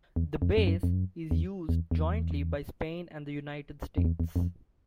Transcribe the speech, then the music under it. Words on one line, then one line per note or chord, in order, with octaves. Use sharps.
The base is used jointly by Spain and the United States.
E2
F2
F2
F#2
F2
F#2
E2
E2
E2
F2
E2
E2
F2